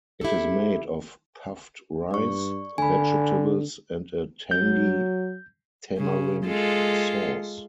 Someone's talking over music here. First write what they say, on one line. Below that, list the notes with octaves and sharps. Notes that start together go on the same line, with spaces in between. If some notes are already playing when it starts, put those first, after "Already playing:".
It is made of puffed rice, vegetables and a tangy tamarind sauce.
E4 G4 A4
G2 D5 C#6
D3 G#5 B5
F#3 G6
C#3
G#3 F4 A4